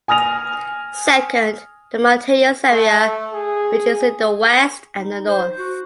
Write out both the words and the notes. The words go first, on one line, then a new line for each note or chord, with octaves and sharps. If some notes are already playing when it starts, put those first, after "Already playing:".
Second, the mountainous area which is in the west and the north.
G#5 D#6 F6 A#6 F7
A3
G#4
D#4
C5
F#4